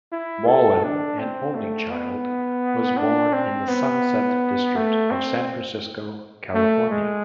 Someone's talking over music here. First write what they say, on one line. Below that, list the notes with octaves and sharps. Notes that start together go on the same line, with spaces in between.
Whalin, an only child, was born in the Sunset District of San Francisco, California.
E4
A4
D4
C4
A3
B3
D4
C4
B3
A3
C4
A3
G#3